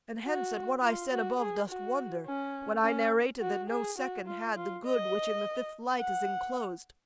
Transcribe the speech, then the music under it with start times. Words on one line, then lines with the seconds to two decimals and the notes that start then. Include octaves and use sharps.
And hence at what I said above dost wonder, When I narrated that no second had The good which in the fifth light is enclosed.
0.24 F#4
0.82 F4
1.11 F#4
1.39 G#4
1.69 F#4
2.26 C#4
2.83 C#4
3.41 F#4
3.70 G#4
3.98 F#4
4.27 F4
4.56 F4
4.84 D#5
5.99 F#5